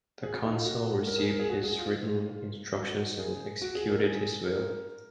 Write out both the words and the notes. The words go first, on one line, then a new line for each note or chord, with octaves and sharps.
The council received his written instructions and executed his will.
G#4
F#4
D#4
F4
F#4
A#4
G#4
A#4
G#4
F#4
G#4
F4
F#4
G#4
F#4
G#4
A#4
G#4
A#4